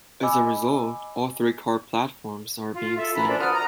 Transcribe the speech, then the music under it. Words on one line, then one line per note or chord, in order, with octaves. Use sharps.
As a result, all three-car platforms are being extended.
D#5 G#5 B5 D6 E6
F4
A4 E5
E3 C#4 F#4 A#5 B5
D4 F4 F#4 A#4 C5 D5
F#5 D#6 F6
A#5